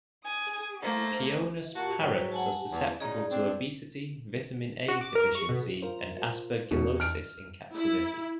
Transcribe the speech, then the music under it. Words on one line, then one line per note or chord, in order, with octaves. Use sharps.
"Pionus" parrots are susceptible to obesity, vitamin A deficiency, and aspergillosis in captivity.
G#5 D#6
A3 A#3 C5
A#2 F#4 A5
G#2 F#3 B4 G5
F#5 G#5 A5
E2
C#3 D#4 G#4 D5
C4 D4
F#4
D6
A#4
C#6
B2
F4 A#4 C5
E2 B2 C#4
F6 D7
E4